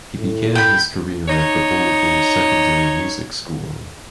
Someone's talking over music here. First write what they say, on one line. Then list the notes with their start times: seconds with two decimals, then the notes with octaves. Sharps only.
He began his career at the Bulbul Secondary Music School.
0.16 A2
0.55 G5 B5
1.28 D#4 C#5